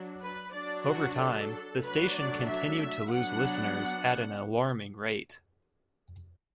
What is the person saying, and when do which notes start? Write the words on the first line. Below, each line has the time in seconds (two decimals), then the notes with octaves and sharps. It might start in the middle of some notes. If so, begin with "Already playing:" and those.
Over time the station continued to lose listeners at an alarming rate.
Already playing: F#3 D4
0.22 B4
0.54 F#3 D4 D5
0.86 F#4
1.18 A4
1.83 F#3 A3 D4 B4
2.16 D5
2.48 E5
3.12 F#3 B3 D4 F#5